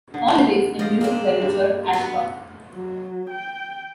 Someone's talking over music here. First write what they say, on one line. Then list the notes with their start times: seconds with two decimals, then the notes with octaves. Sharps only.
All lyrics and music by Richard Ashcroft.
0.14 D3
0.79 F3 D5 D#5 F5
1.01 G#3 A#3 C4 D4
1.42 G2 G3
1.93 F#3 B3 B4
2.73 F#3
3.30 G5